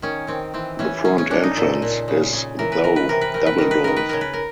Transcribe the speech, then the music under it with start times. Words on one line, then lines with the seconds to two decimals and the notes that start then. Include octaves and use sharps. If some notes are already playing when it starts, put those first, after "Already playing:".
The front entrance is though double doors.
0.02 D#3 C#4
0.27 D#3 C4
0.54 E3 C4
0.79 E3 C#4
1.05 C#3 C#4
1.18 C#4
1.31 C#3 D4
1.43 D#4
1.56 A#2 A4
1.82 A#2
2.08 C#3
2.33 C#3
2.59 E3 A#4
2.72 B4
2.84 E3 A#4
2.96 B4
3.09 C3 A#4
3.21 B4
3.34 A3 A#4
3.46 B4
3.58 D#3 A#4
3.71 B4
3.84 D#3 A#4
3.97 B4
4.09 C#3 A#4
4.21 B4
4.33 A#4